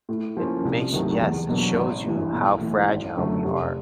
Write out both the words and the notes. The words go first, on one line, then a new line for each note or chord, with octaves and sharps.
It makes Yes, it shows you how fragile we are
A2
F3 A#3 C#4
C2
C3 D#3 F#3 A3
E2
B2 F#3 A#3 D4
G#1
G2 E3
B1
A2 E3
G#1
F#2 D3 F#3 A3
F1